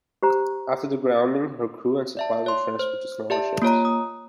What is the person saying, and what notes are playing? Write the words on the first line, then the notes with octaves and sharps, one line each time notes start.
After the grounding her crew and supplies were transferred to smaller ships.
G4 C5 A#5
D5 E5 A5
C#5 C6
C5
G4 D5 E5 A5
A#3 F4 C#5 A#5
D#6